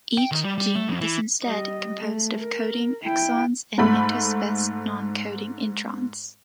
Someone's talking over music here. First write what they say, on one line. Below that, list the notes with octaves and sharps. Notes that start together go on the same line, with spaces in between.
Each gene is instead composed of coding exons and interspersed non-coding introns.
G5
D#3
G3
G3
A3
F2
E3
G3 D#5
A3
A#4
E4 G5
G#2 A3 B5